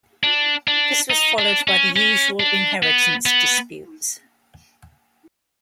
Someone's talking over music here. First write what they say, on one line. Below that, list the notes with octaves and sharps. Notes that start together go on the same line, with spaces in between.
This was followed by the usual inheritance disputes.
D4
D4
D#4
D4
C#4
C#4
D4
B3
B3